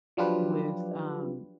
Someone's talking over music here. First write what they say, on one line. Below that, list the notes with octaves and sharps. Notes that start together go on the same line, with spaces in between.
with, um
F3 F#3 D4 F4 G4 B4